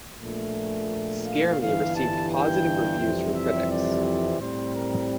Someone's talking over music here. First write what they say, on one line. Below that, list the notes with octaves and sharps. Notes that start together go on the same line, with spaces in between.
Scare Me received positive reviews from critics.
A#1 A#2 A3
F5
G1 G2 E3 F5
A5
G5
F2 C3 E3 G3
E5
D5
D5
A2 G3 C4 C5
A#4